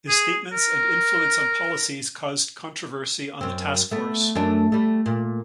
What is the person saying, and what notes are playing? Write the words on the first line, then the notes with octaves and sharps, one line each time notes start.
His statements and influence on policies caused controversy on the task force.
G#4
A#4
F#2 C4
A3 B3
F#2 A3 D4
G3 A3
A#2